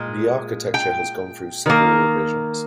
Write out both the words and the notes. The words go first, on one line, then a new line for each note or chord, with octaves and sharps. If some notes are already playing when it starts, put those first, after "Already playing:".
The architecture has gone through several revisions.
Already playing: A#2 G#3
G5
D#3 A#3